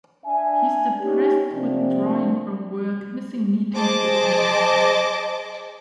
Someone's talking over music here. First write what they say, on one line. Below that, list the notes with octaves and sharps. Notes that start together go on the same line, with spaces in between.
He's depressed, withdrawing from work, missing meetings with investors.
D4 E5 G#5
C#4 D#4 G4
C3 F3 A#3 C4 D4
G#4 C5 D#5 A5 D6